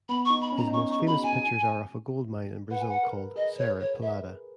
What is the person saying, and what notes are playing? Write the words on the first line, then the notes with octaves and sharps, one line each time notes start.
His most famous pictures are of a gold mine in Brazil called Serra Pelada.
B3 B5
C#6
D#4
B5
C#4
A#5
D#4
C#4 C#6
D#4 C#6
G#4
F#4 B5
G#5
B4 F#5
G#5
F#5
A#4
G#4 D#5
C#5
C#5
E5